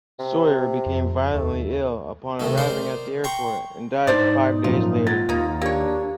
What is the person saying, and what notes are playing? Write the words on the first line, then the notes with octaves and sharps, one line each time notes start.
Sawyer became violently ill upon arriving at the airport and died five days later.
C3
F2
D#2 A3
C3 D#3 A3 D#4
D#4 A#4 C5 D5 C6
G5 A#5 C6 C#6
G#2 D4 D#4 C5 D5
F#2 A#2 F3 F4
F#3 F4 A6
D#2 A#3 D#4
A#3 D4 G4 C#5